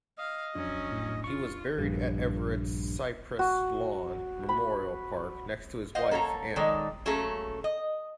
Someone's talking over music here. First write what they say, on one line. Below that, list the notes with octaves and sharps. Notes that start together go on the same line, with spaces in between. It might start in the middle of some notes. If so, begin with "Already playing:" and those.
He was buried at Everett's Cypress Lawn Memorial Park next to his wife, Anna.
D#5 F5
F2 F#3 C#4 D4
A2
F4 C#6
A#1 G2
F#4
B5
C5 D#5 F5 F#5
A#3 A4 C#5 A#5
D#3 G#3 D#4 A4 C#5 D5
F#3 A3 A#3 C#4 G#4 A4
D#5